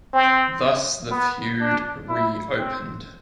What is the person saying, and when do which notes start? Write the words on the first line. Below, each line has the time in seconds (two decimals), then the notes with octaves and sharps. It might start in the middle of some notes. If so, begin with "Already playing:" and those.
Thus the feud reopened.
0.13 C4
1.11 B3
1.61 D4
2.09 E4
2.58 C4